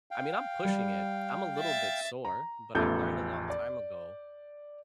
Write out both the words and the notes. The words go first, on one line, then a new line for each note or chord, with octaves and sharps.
I mean, I'm pushing it, I'm a little bit sore, but I learned a long time ago,
F5 G5
G3
E5 A6
A#5
A1 E2 F3 A4 G6
D5